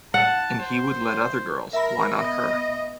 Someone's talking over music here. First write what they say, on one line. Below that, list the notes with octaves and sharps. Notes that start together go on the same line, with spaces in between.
And he would let other girls, why not her?
F#5 A5
C5
A#4 E5 B5
B3 D#5